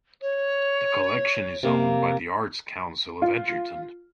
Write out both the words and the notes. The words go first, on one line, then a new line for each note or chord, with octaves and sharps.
The collection is owned by the Arts Council of Edgerton.
C#5
C3 A#3
F4